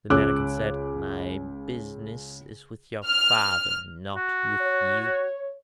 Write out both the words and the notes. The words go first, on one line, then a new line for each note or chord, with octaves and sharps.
The Mannikin said, 'My business is with your father, and not with you.'
C#2 D6 E6 F#6
F6
F#4
C#5